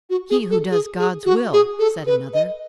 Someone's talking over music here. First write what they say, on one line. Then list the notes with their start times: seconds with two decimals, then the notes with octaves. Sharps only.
"He who does God's will," said another.
0.10 F#4
0.30 G#4
0.51 A4
0.71 G#4
0.99 G#4
1.25 F#4
1.53 G#4
1.79 A4
2.07 B4
2.34 D#5